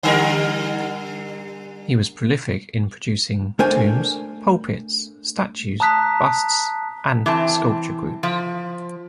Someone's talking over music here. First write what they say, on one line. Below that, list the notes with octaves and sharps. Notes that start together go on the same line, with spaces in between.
He was prolific in producing tombs, pulpits, statues, busts, and sculpture groups.
D3 G3 A#4
A3 D4 A#4 C5 G5 G#5
A5 A#5 D#6 F#6 B6
E3 C4 A5
F3